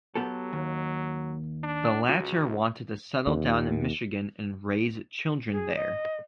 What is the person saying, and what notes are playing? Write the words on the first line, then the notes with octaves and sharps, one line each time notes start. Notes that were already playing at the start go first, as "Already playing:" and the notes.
The latter wanted to settle down in Michigan and raise children there.
F#3 B3 G4 A4
D#2
D4
C#2 F#4
D#2
G#4
D#5